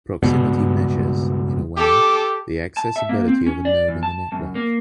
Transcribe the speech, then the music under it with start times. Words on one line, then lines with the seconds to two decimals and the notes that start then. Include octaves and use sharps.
Proximity measures, in a way, the accessibility of a node in the network.
0.23 C#2 G2 B2
1.77 G4 A4 D6
2.77 A5
2.96 E5
3.09 A#3
3.28 C4
3.46 C#4
3.65 D5
3.88 E2
4.03 A5
4.32 F#2
4.55 A#3